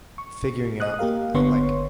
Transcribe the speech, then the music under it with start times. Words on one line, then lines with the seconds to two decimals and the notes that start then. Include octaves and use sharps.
figuring out I I like
0.18 C#6
0.80 D#5 D#6 F#6
0.99 A#3 G4 A#4 F5
1.34 G1 D3 B3 C#5 C6 C#6